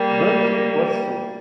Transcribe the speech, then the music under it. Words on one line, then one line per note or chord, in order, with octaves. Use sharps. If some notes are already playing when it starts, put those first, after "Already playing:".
But it was so.
Already playing: G3 A#3